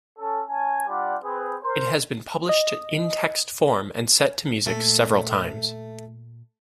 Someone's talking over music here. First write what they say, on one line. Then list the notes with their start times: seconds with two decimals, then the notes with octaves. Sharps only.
It has been published in text form and set to music several times.
0.18 C#4 A4
0.48 C#4 G#5 A5
0.87 G3 D4 F4 G4 D5 F#5
1.23 C4 G#4 B4
1.62 A#4 C5
2.49 D#5
4.66 A#2 A3